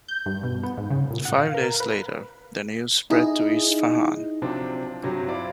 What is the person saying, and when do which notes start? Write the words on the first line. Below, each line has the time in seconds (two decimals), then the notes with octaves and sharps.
Five days later, the news spread to Isfahan.
0.08 G6
0.26 G2
0.43 B2
0.63 B3
0.77 G#2
0.90 C#3
1.11 A#2
1.25 F#5
1.38 F5
1.54 A#4
1.80 B4
3.10 D#4 E4 G#4 D#5
4.42 C3 F3 F#3 C4 D4
5.03 G2 C3 F#3
5.28 E4 F4 C5 D5